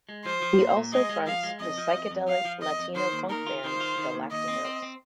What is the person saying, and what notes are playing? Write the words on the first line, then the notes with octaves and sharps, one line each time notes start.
He also fronts the "psychedelic latino-funk" band Galaktikos.
G#3
F3 C5
F3
A#2
A#2
G#3 D#5
G#3
F3 F5
G#3
F2 D#5
F3
F2
F2
F3 F5
F3
F2 D#5
F2
D#3 C5
D#2
D#3 A#4
F4
D#3 C5
F4
D#3
D#2
D#2 D#5
C4
C4
C4